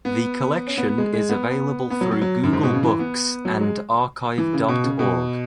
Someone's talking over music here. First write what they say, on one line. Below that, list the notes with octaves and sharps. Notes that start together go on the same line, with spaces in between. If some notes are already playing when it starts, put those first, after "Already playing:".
The collection is available through Google Books and archive dot org.
B3
C#4
B3
B3
G#3
G#3
B3
B3
F#3
F#3
F#3
F#2
G#2
B2
C#3
E3
B3
F#3
G#3
E3
C#3
B2
C#3
B2